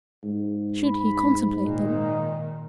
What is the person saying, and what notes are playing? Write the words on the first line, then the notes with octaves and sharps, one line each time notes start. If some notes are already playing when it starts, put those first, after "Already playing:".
Should he contemplate them?
G#2
B5
A#2 D#3 D#4